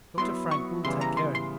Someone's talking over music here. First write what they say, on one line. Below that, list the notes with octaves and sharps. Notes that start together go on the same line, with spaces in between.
Dr. Frank will take care of you.
F#3 B3 E4 C6
C#6
C#3 E3 G3 B3 E4 C6
A#5
C6
C6